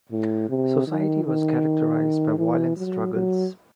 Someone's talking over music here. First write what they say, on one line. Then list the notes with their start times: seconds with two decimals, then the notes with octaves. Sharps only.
Society was characterized by violent struggles.
0.12 A2
0.49 C3
0.87 D#3
1.25 D#3
2.38 E3
2.76 F#3
3.14 F#3